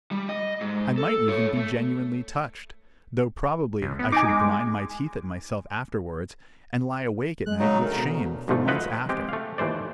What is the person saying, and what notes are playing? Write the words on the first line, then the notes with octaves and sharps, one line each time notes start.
I might even be genuinely touched, though probably I should grind my teeth at myself afterwards and lie awake at night with shame for months after.
G3
D#5
G#2
A4
A4 C#5
A3
C#2
B3
D#4 G#5 D6
G#3
G#3 F#6
C#3 F#3 D#4
D2 A#4
B2
D2 G#2 F3 A3
E4 F4 B4 C5 D#5 F#5
G#3 C4 G4
A3 F5
D#2 E3 A3 C5 D5